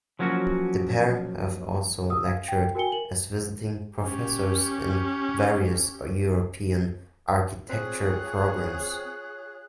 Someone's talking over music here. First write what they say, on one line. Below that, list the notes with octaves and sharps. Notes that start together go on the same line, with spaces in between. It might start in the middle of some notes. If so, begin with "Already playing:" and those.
The pair have also lectured as visiting professors in various European architecture programs.
F3 F#3 A#3 C#4 F#4
D#6 E6
F5 G#6
G5
F#4 A#4 G5 G#5 C#7 G7
A#4 F#7
C#4 G4
C4 F4 G#4 C#5 F#6